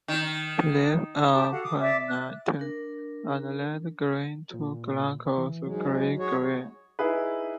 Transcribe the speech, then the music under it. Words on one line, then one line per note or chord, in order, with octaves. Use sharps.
The leaves are pinnate and light green to glaucous grey-green.
D#3
G4 A5 D6
F#4 A4 F5 F#5
D6 D#6
D5 E5 D6
F#6
D4 A#4
A#2
E3
G#2 F#3 G#3
F#4 G#4 C#5
D#4 E4 G#4 B4